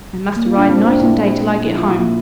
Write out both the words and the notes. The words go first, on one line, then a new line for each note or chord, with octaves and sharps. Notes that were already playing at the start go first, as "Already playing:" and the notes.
I must ride night and day till I get home.
Already playing: G3
A#2
A#3
F4
A#2 D4
C4
G3 C4
D4
A#2 E4
C4
A#3
A#2
F3 E4
F4
A#2 E4
A#3